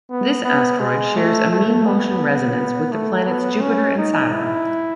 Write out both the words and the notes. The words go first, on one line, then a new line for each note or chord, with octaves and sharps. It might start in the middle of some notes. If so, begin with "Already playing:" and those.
This asteroid shares a mean-motion resonance with the planets Jupiter and Saturn.
B3
B3
G#3
A3
A3
B3
A3
B3
C#4
D#4
E4